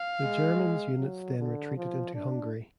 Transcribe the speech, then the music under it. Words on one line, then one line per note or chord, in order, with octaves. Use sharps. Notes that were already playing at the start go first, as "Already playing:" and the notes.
The Germans units then retreated into Hungary.
Already playing: F5
G#3
F#3
D3
F3
D4